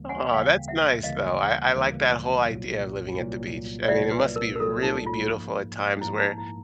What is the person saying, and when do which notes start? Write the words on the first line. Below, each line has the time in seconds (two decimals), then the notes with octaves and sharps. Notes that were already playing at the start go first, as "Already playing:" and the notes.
Aw, that's nice, though, I I like that whole idea of living at the beach. I mean, it must be really beautiful at times where,
Already playing: D2 C#3 E3 G3 A#3
0.09 F#5 G#5
0.33 D2 C#3 E3 G3 A#3 F5 G5
0.68 E5 F#5
1.03 D2 C#3 E3 G3 A#3 D#5 F5
1.75 D2 C#3 E3 G3 A#3
2.46 C2 A#2 F#3
3.17 C2 A#2 F#3
3.88 C2 A#2 F#3 D5 E5
4.12 B4
4.36 A#4
4.56 A#4
4.60 C2 A#2 F#3 A4
4.83 D#4
5.06 F4
5.30 G#2 F3 A#3
6.01 G#2 F3 A#3 E4
6.15 E4
6.20 D#4
6.38 E4